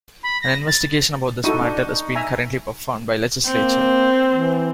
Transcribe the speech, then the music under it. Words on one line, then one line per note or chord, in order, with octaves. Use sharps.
An investigation about this matter is being currently performed by legislature.
B5
A#6
A6
D#4 E4 F#4 A4 C#6 D#7
D4
E5 G#5 A#5
A#3 C4
E3